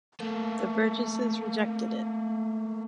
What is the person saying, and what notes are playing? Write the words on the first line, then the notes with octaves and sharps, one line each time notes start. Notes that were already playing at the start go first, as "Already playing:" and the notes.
The Burgesses rejected it.
A3 A#3